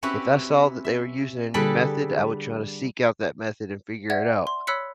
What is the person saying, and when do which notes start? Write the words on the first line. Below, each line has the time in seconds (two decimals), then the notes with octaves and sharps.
if I saw that they were using a new method, I would try to seek out that method and figure it out,
0.03 C4 C#4 E4 F#4 G4 B4
0.85 E5
1.54 D3 G3 G#4 A4 B4 B5
4.10 D5 E5 F#5 G#6
4.47 C6
4.67 C#5 B5 E6 F#6 B6 C#7